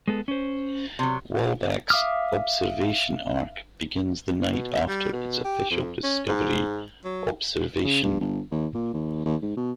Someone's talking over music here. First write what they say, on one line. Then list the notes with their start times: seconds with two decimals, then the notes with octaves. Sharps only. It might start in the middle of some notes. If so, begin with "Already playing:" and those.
"Walbeck"s observation arc begins the night after its official discovery observation.
0.08 G#3 B3 A4
0.28 C#4 C5
0.99 C3 F#3
1.90 E5 F5 D6 D#6 F6
4.51 B2
4.88 G3
5.13 B2
5.44 G4
5.71 F2
6.04 C#4
6.27 G#2
7.04 F#3
7.85 C#3
8.04 G2
8.21 G1
8.51 D#2
8.75 A#2
8.94 D#2
9.26 D#2
9.42 G#2
9.57 B2